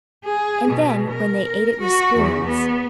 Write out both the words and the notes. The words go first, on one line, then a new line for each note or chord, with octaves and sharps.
And then when they ate it with spoons!
G#4
B2
A#4
F#4
E2
B3